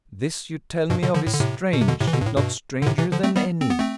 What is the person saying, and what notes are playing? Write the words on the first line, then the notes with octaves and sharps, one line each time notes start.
This you tell me of is strange--if not stranger than any!
G2 B2
B2 D3
D3 F3
A2
D3
A2 C3
B2
C3
B2 D3
A2 C3
E3
B2 D3
G2
A2
G2 B2
D3
A2 C3
C3 E3
D3 F3
A3 C4
G3 B3
C4
B3
A3 C4